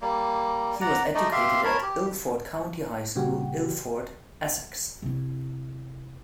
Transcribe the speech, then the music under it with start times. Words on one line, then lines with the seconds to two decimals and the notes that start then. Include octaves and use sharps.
He was educated at Ilford County High School, Ilford, Essex.
0.01 G3 A#3
0.81 D5 F#5 A#5
1.15 A3 D#4 D5 D#5
1.32 G4 E5 F5 C6
1.65 A#4 C#5 A5 B5
1.82 G4
3.15 A#2 C#3 G3 F#4 G4
5.02 C3 E4